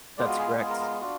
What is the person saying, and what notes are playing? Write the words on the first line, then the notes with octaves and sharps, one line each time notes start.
That's correct.
G#3 B3 F4 D5
F#4
G#4
B4
G#3 B3 F4 G#4
A#4
A#4
D4 F4 F#4